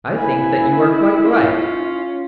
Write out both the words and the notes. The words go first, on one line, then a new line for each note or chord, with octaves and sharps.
I think that you are quite right.
A#3 E4 B4 G#5
C#4 F4